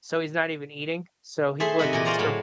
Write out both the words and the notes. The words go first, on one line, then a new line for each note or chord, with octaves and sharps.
so, he's not even eating. So, he wouldn't surv
A3 G#4 C5 E5
C3 D#5 F#5 B5
A#2 E3 D#5
F4 F#4 C5 D5 A#5
A2 F#3